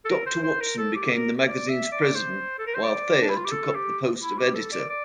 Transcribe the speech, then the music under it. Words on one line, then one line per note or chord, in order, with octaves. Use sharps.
Doctor Watson became the magazine's president while Thayer took up the post of editor.
A4
A#4
C5
C5
A#4
A4
G4
A#4
D5
E5
D5
C5
A4
A#4
C5
D5
D4
E4
F4
G4
A4
G4
E4
G4
A4
D5
D5